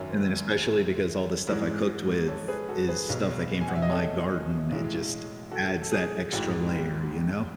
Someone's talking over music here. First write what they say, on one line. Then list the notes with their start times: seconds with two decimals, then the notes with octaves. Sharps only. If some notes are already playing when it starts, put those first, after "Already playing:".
And then especially because all the stuff I cooked with is stuff that came from my garden, it just adds that extra layer, you know?
Already playing: G#1 F#2 D#3 C#5 E5
1.47 G#2 E3 G#3
2.28 A4 C#5
2.48 G#4 B4
2.69 F#4 A4
2.89 G#4 B4
3.09 B1 B2 F#3
3.61 G#5
3.68 F#5
3.75 E5
3.82 D#5
3.90 A4 C#5
4.71 B1 A2 E3 G#3
5.51 F#4 A4
5.82 A4
5.92 G#4
6.32 A1 G#2 E3 F#4